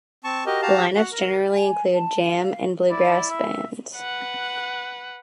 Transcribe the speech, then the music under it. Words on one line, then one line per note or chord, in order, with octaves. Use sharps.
The lineups generally include jam and bluegrass bands.
C4 A5 C#6
F#4 G4 A#4 D#5
F#4 G4 F5 A5 A#5
F#4 F#5
A#4
G#5
A5
F5
E4 D5
E5
B4 F#5